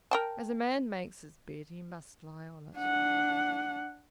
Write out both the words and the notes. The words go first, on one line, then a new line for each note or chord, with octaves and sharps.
As a man makes his bed he must lie on it.
A#4 G5 A5
D4 F#5